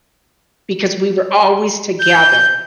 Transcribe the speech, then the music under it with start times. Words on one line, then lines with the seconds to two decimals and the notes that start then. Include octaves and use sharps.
because we were always together.
1.99 G6